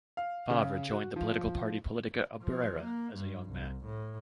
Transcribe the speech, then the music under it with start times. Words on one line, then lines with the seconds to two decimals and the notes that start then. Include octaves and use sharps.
Favre joined the political party Politica Obrera as a young man.
0.17 F5
0.50 C#3
0.91 F#4
1.16 F3
2.41 F3
2.83 A#3
3.15 G2
3.50 C2
3.85 A2